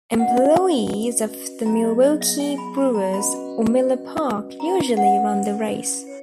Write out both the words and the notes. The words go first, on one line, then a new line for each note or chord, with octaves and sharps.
Employees of the Milwaukee Brewers or Miller Park usually run the race.
C#4 F#4 B4 D#5 F#5
F#3 B3 E4 G#4 A#5
D#5
D#5
E5
G#5
B5
B5
A#5
C#4 F#4 B4 D#5 F#5 B5
C#4 E4 B4 A#5
F#5
C#5